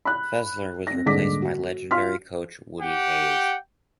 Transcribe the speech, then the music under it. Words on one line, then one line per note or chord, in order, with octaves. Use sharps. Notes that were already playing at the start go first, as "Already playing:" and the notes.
Fesler was replaced by legendary coach Woody Hayes.
B5 F#6
C4 A#6
D#1 G#2 D3 D6 B6
F#4
F4 F5 C6 F6 B6
G4 F#5 G5